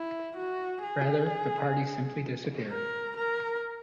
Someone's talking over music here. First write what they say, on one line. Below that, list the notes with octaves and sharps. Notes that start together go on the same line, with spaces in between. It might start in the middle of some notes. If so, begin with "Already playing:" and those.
Rather, the party simply disappeared.
Already playing: E4
F#4
G#4
A#4
A#4